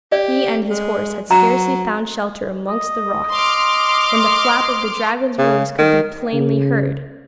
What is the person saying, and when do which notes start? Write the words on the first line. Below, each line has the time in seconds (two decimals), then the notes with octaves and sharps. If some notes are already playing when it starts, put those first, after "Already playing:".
He and his horse had scarcely found shelter amongst some rocks, when the flap of the dragon's wings could be plainly heard.
0.12 G4 D5
0.71 G#3
1.31 F#3 A#5
2.69 D#5
3.32 C6 D6 F6
5.39 C#3
5.78 D#3
6.33 C#3